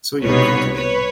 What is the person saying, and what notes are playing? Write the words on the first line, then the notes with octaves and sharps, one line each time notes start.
So you are caught again!
C2 B2 G3 B3 D#4 B4 C#5
B4 C#5